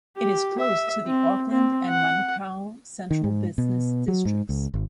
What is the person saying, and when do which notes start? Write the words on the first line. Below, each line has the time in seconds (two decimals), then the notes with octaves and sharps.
It is close to the Auckland and Manukau central business districts.
0.17 G4
0.59 E5
1.06 C4
1.51 C4
1.89 F#5
3.11 D#3
3.24 G#2
3.58 B2
4.08 F#3
4.25 G#2
4.49 C#2
4.74 G#1